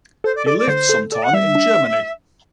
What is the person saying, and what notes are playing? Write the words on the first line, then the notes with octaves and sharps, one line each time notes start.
He lived some time in Germany.
A4 C5
D5
A4 D5
D5
D3 C5
A4
A4 D5
F#5
G3 E5
D4